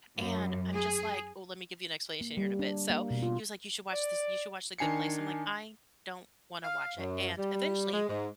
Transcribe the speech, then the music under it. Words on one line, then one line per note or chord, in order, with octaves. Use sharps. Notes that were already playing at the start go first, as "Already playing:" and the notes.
And I'm just like ooh, let me give you an explanation here in a bit. So, he was like, "You should watch this you should watch The Good Place." I'm like, "I don't wanna watch it." And eventually,
F#2
G#4
A#3
G3
D4
A#3
B2
F4
D5
D#3 D4 G#5 C7 C#7
F5
F#2
G3
G#3
G#2